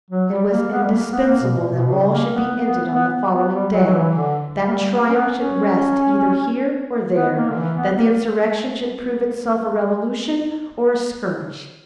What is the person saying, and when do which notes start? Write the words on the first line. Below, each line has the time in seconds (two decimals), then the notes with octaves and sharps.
It was indispensable that all should be ended on the following day, that triumph should rest either here or there, that the insurrection should prove itself a revolution or a skirmish.
0.11 F#3
0.31 G3
0.51 A#3
0.71 B3
0.84 G3
0.92 A#3
1.12 B3
1.27 A#3
1.42 B2
1.56 A#2
1.72 B2
1.88 B2
1.92 C#3
2.12 A#3
2.32 B3
2.63 B3
2.93 B3
3.33 B3
3.53 G3
3.73 F#3
3.85 F#3
3.93 E3
4.13 D3
4.68 A#3
4.74 G3
4.94 A#3
5.09 C#4
5.14 B3
5.34 C#4
7.15 B3
7.36 A#3
7.50 D3
7.55 E3
7.76 B3
7.96 A#3